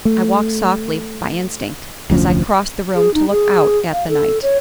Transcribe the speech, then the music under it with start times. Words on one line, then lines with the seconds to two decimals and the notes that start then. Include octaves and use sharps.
I walked softly, by instinct, as I crossed the room to look out at the night.
0.05 A3
2.10 F1 D2 F3 C#4
2.95 G#4
3.14 D#4
3.30 G#4
3.92 F5
4.09 A4
4.42 C#5